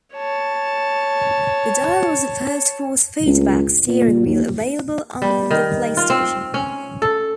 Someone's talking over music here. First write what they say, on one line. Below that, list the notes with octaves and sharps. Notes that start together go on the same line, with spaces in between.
The dial was the first force feedback steering wheel available on the PlayStation.
C#5 A5
C#2
A#2
D#2
G3
D#3
F4
C4
C#4
A4